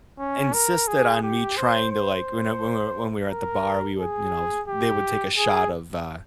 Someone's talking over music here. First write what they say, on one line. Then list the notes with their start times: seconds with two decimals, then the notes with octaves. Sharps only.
insisted on me trying to, like, whene whe when we were at the bar, we would, you know they would take a shot of uh,
0.19 C#4
0.53 A#4
0.87 G#4
1.23 G4
1.57 C5
1.91 C5
3.30 A#4
3.99 G#4
4.68 G4
5.37 G#4